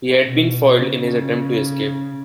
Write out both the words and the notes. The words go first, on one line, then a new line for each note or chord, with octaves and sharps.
He had been foiled in his attempt to escape.
B2
C#3